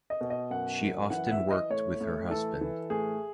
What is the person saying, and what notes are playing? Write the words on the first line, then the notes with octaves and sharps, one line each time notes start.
She often worked with her husband.
D#5
B2
D#5
F#2 F#5
F#2
E3 F#5
F#5
E5
E3
D#5
A2 C#5
A2
E3 A4
E3
A2 G#4